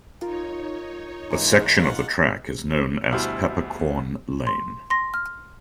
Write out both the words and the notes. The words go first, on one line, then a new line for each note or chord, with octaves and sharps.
A section of the track is known as Peppercorn Lane.
D#4 F4 A#4 C#5
G#2 E3 G#3 A#3
F4 F#5 C#6
D2 B2 G3 E4 C5 F6
C6
C6 A#6
F6